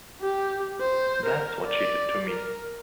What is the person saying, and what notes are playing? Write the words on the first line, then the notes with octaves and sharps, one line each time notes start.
That's what she did to me.
G4
C5
A#4
D5
A#4